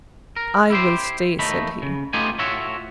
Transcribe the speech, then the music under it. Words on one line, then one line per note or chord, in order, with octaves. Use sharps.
"I will stay," said he.
A#4
E4 G4 C5
D#2 A3 D#4 B5
C#3
A3 B3 D#4 F4 G4 G#5
A2 F4 F#4 C#5 E5